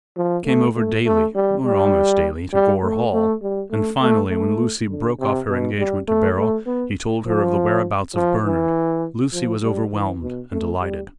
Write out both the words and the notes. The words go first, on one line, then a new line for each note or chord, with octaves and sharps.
He came over daily--or almost daily--to Gore Hall, and, finally, when Lucy broke off her engagement to Beryl, he told her of the whereabouts of Bernard. Lucy was overwhelmed and delighted.
F3
A3
A3
A3
G3
G3
G3
A3
A3
G3
A3
A3
A3
D3
C3
B2
G3
A3
A3
B3
F3
F3
E3
F3
G3
E3
B2
A3
G3